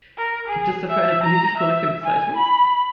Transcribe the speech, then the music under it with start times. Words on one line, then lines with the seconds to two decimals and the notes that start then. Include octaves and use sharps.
Gibt es dafür eine politisch korrekte Bezeichnung?
0.18 A#4
0.47 G#4
0.89 E5
1.23 A#5
1.57 E5
2.04 G#5
2.36 B5